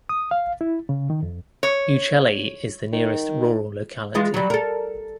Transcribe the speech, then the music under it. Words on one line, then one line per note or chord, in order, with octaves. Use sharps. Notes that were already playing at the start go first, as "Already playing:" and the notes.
Uchaly is the nearest rural locality.
D#6
F5
E4
C#3
D#3
F2
C#5
D#3
E3 G#3 F4
F#3 G3
A4 A#4